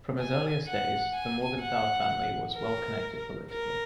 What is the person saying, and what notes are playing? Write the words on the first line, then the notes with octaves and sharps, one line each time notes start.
From his earliest days, the Morgenthau family was well-connected politically.
G#5
F#5
G#5
F#5
A#4
A#4